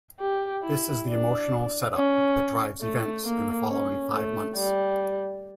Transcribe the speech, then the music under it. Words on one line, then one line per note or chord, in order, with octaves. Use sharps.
This is the emotional set-up that drives events in the following five months.
G4
E4
D4
C#4
A3
A#3
C#4
A3
G3